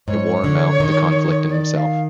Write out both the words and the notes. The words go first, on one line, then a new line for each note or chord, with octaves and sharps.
It wore him out, the conflict in himself.
G#2 C#5
D3
D#3
D5
F5